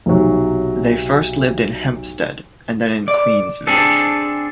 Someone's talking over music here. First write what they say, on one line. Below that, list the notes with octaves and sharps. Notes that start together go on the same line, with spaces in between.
They first lived in Hempstead, and then in Queens Village.
B1 C3 F#3
D5
C4 D4 G#4 A4